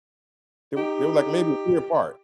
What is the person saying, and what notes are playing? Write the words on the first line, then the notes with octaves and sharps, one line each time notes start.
They were they were, like, maybe a year apart.
D#4 G4